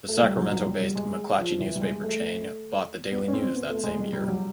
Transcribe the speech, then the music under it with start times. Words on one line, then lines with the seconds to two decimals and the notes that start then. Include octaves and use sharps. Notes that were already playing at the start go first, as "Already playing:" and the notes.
The Sacramento-based McClatchy newspaper chain, bought the "Daily News" that same year.
0.08 A3
0.23 G3
0.37 F#3
0.51 F#3
0.66 G3
0.80 G3
0.95 G#3
1.38 F3
1.60 E3
1.75 G3
1.81 G#3
2.03 A3
3.12 B3
3.28 C#4
3.33 C4
3.55 B3
3.69 A3
3.84 G#3
3.99 G3
4.13 G3
4.23 G3
4.28 F#3